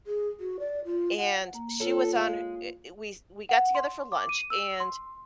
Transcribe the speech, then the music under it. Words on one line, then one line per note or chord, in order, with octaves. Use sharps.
and she was on eh, we s we got together for lunch, and
G#4
F#4
D5
F4
F#5
A#3 A#5
F4 A4 C#5
G#3 F5
F#5
C6
D6
D#7
E6
C6